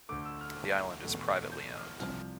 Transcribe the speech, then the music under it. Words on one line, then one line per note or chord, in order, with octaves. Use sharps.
The island is privately owned.
D2 D3 A3 D6
E6
F6
E2 B2 A3
G6
F6
C2 C3 F3 F6